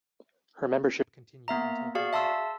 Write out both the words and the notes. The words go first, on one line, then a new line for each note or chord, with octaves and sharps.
Her membership continued until her death.
A#3 B3 E5 A#5
F#4 G#4 D5 F5
E5 A5 C6 E6